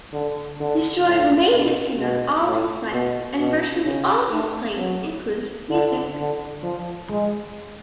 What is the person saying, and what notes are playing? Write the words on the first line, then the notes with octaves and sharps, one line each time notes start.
Nestroy remained a singer all his life, and virtually all his plays include music.
D3
D3
A2
B2
B2
A2
B2
B2
C#3
A3
F#3
D3
D3
F3
G#3